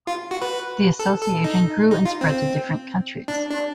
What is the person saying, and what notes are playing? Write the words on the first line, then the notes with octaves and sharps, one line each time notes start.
The association grew and spread to different countries.
F4
F#4
B4
A4
A4
D#4
D#4
F4
C4
D4
D4